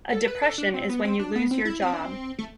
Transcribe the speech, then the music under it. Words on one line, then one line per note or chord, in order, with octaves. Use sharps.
A depression is when you lose your job.
A4
B4
A4
D4
C4
B3
C4
D4
B3
C4
E4
C4
D4
C4
A3